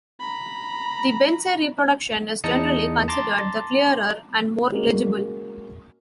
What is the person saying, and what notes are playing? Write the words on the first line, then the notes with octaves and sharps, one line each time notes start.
The Bensey reproduction is generally considered the clearer and more legible.
A#5 B5
E2 D#4 A5 A#5 D#6 C#7
A5 A#5 C6 D6 A6
G#3 A#3 C#4 F#4 A#4